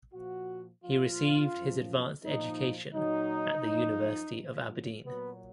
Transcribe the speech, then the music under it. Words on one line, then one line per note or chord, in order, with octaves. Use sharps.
He received his advanced education at the University of Aberdeen.
A#2 F3 F#4
A#2 F3 F4
F#2 F3
A#2 F3 D#4
A#2 F#3 D#4
F#2 F3
A#2 F3
A#2 F#3 B3